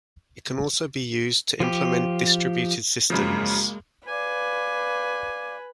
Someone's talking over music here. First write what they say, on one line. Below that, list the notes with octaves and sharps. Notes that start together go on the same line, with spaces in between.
It can also be used to implement distributed systems.
F3 G4
F#2 C#3 F3 G#3 A#3
B4 D5 F5 G#5 D6